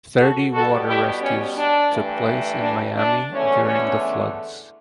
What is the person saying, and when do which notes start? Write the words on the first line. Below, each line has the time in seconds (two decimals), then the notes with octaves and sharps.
Thirty water rescues took place in Miami during the floods.
0.17 F#4 A4
0.51 B2 G3 B3 F#4 A4
0.87 E4 G4
1.21 C#4
1.56 D4
1.91 G2 E3 A3
2.59 D4
2.94 D4
3.29 E2 D3 A3 C#4
3.64 C#4